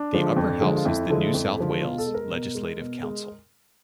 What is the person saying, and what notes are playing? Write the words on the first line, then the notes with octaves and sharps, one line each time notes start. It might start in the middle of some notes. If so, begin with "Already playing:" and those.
The upper house is the New South Wales Legislative Council.
Already playing: D4
D3 F3 G#3
F2
D3 F3 G#3
F4
F2 E4
D3 F3 G#3
F2
D3 F3 G#3
B2 F4
A4
G#3
A#4
B2
G#3
B2
G#3